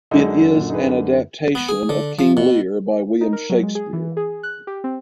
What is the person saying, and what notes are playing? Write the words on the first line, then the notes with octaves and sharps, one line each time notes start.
It is an adaptation of "King Lear" by William Shakespeare.
F#2 D3 G#3 D#4
A#2
D#4 G#4 B4
B3
G#4
D3
F3
B2
D#4
A#4
F#3
G#3
G#4
E3
G#4
F#6
G4
C4